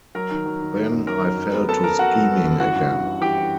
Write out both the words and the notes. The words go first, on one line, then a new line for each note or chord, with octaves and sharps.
Then I fell to scheming again.
F#3 A#4 A#5
D#3
F#3
D#3
D#3
F#2
F#3 A#4 A#5
F#3
F#2
B3
B3 A4 A5
B3 A#4 A#5
B3 F#4 F#5
F#3
B3
F#2
E3 F#4 F#5
G2
G2
G2
E3 G4 G5
E3